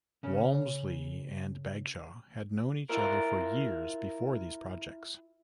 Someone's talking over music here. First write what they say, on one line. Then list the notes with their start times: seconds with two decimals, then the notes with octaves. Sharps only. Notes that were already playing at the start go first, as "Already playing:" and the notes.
Walmsley and Bagshaw had known each other for years before these projects.
0.23 C#3 C#4
2.89 E4 F4 A#4